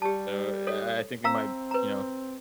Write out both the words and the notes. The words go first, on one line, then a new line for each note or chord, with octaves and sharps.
so I I think we might, you know,
G3 G4 A5
A4 C#5
C4 F5 A#5 E6
B4 A#5